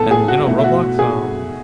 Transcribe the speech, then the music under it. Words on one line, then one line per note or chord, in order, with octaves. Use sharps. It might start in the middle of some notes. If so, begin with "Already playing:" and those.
And, you know, Roblox, um
Already playing: A2 G#3 B3 A4 A5
G#4 G#5
F#4 F#5
B2 A3 E4
E5
F#4 F#5
G#4 G#5